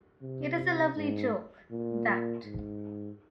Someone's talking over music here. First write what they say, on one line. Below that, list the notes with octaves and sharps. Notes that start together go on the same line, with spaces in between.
It is a lovely joke, that.
C3
G#2
A#2
G#2